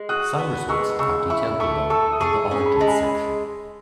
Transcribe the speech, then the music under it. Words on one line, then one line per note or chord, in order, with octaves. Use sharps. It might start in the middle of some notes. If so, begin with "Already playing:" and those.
Some results are detailed below in the 'Origins' section.
Already playing: G#3
F#4 D#6 F#6
B3
G#3 C#6 E6
C#3 C#6 E6
E4 C#6 E6
A3 C#6 E6
A4 C#6 E6
D#6
G#4 A5 C#6
C#4
B5
G#3 A5
G#5 B5